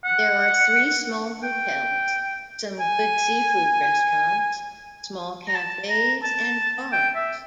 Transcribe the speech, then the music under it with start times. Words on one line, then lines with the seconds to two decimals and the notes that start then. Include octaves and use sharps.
There are three small hotels, some good seafood restaurants, small cafes and bars.
0.05 F#5
1.43 G5
2.80 G#5
5.48 A#5
5.55 A5
5.89 A#5
6.23 A5
6.92 G5
7.15 E5